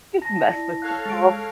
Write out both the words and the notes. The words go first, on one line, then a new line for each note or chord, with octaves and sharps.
Just mess with people.
A5 A#6
E4 D5
A4 C#5 F5 F#6
G#3 A6 D7